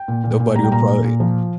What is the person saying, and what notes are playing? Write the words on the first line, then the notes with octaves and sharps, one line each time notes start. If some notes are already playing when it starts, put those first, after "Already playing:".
Nobody will probably
Already playing: G5
A#2
A#2
A#2
G3 A#5
G5
A#2 A#5
A#2
A#2
F3